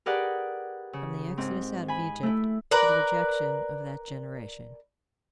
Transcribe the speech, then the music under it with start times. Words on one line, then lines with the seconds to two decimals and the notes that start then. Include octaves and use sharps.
From The Exodus Out Of Egypt, To The Rejection Of That Generation.
0.06 G4 G#4 A#4 B4 D5 F#5
0.93 C#3
1.38 G#2 C4
1.88 G#5 B5
2.23 A3 E4
2.71 A#4 B4 D5